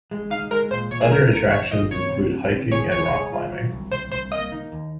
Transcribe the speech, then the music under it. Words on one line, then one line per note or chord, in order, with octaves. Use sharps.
Other attractions include hiking and rock climbing.
G#3
D#4 F5
G#3 A#4
A#2 C5
A#2 C#5
G#4
F2 A#4
F2 A#4
F2 C#5
F3 D#5
C3 C#5
C3
F#3
C3
G#4 C#5
G#4 C#5
G#4
F4
F#3
C2
C2 C5
C2 C5
A#3 D#5
D#4
D#2